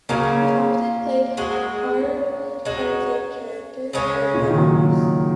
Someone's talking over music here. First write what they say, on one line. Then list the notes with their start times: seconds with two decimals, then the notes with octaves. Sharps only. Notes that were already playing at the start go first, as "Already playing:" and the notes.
He often played hard-hearted characters or villains.
0.09 C#3 F#3 A#3 C#4
1.37 G#3 F#4
2.01 C#4
2.65 G#3 D#4 F#4
3.93 C#3 G#3 C#4
4.34 A#2
4.42 C#3
4.50 D#3
4.58 F#3